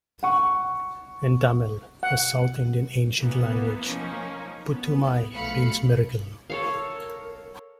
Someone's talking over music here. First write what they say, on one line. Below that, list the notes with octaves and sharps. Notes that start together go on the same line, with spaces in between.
In Tamil, a South Indian ancient language, "Puthumai" means Miracle.
F#5 C#6
F#5
E3 A#3 B3
F3 A#3 C#4 D#4
B3
B1 F3 A3 F5 B5 C#7
A4 A#4 C#5 F5